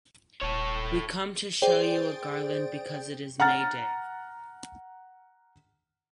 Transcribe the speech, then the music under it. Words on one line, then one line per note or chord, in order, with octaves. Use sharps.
We come to show you a garland because it is May Day.
D#1 A4 C#5
G#4 C5 D5 G5
F#5 A#5 F6 A6